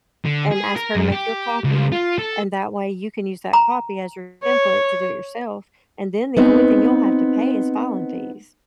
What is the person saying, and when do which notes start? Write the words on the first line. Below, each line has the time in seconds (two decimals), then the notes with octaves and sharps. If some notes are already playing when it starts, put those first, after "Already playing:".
and ask her to make you a copy. And that way, you can use that copy as your template to do it yourself, and then the only thing you'll have to pay is filing fees.
0.25 D3
0.51 G#4
0.76 A#4
0.95 F#2
1.12 G4
1.64 C#2
1.92 F4
2.18 A4
3.53 A#5
4.44 C#5
6.37 B3 C4 D#4